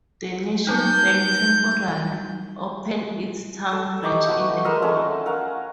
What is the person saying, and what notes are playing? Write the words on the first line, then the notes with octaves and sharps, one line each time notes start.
The National Bank temporarily opened its town branch in the hall.
F#3 G3 D#4 G6
A4
D#4 G4 C#5 D6
A3 F#4 B4
G#3 A#4 D#5 E5
A3 C#4 A4
A#4 F5 F#5